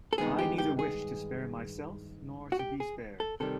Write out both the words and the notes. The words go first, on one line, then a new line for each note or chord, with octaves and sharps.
I neither wish to spare myself nor to be spared.
A4
G2 D#3 G#3 B3 D#4 G#4
G4
G4
G#4
F#4
G4
G#4
A4
C3 D#3 G3 A4